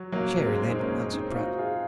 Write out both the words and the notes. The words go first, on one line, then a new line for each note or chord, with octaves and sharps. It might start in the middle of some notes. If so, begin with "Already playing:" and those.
"Sherry, then," answered Pratt.
Already playing: F#3
F#3 A#3
A#3
G#3 C4
D#4
A#3 C#4
C4 D#4
F4
D#4 F#4
F4 G#4